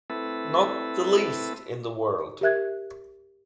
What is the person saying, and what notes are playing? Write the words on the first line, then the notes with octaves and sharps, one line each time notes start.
Not the least in the world.
A3 C4 E4 A4 B4
G4 A#4 E5 F#6 G#6